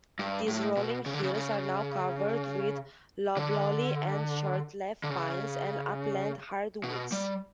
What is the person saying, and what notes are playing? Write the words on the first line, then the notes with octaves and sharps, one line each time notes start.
These rolling hills are now covered with loblolly and shortleaf pines, and upland hardwoods.
G2
A2
B2
C#3
D3
C#3
C#3
D3
D3
C#3
B2
G3